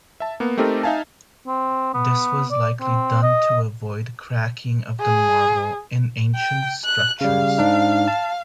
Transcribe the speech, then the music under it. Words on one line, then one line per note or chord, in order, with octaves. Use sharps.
This was likely done to avoid cracking of the marble in ancient structures.
E5 A5
A#3 B3
A3 C4 D#4 G4 A4 A#4
D#4 E5 F5 G#5 A5
C4
B3
D5
C4
D#5
G#4
G5
F#6
C#3 G3 F5
G#2 D4 D#4
A5